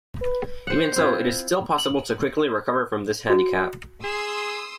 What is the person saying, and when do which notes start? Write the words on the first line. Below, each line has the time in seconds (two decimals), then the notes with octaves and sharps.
Even so, it is still possible to quickly recover from this handicap.
0.21 B4
0.67 C5 F#5
0.96 C4 E4 F4
1.78 F#7
3.30 F#4
4.04 G#4 C6 D#6 E6